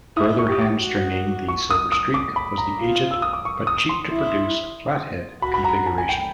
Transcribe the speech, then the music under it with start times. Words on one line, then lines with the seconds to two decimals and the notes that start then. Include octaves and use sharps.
Further hamstringing the "Silver Streak" was the aged, but cheap to produce, flathead configuration.
0.17 E4 D#6
0.39 C#6
0.49 G4 D#6
0.61 D6
0.82 F#4
1.48 C#6
1.70 D#6
1.92 D#6
2.14 D6
2.36 B5
2.58 A#5
2.79 F4
3.11 E6
3.22 D#6
3.33 D6
3.45 C#6
3.67 D#6
3.89 C6
4.11 E4
5.42 F#4 B5
5.54 B5
5.64 A#5
5.86 A5
5.98 G#5
6.09 G5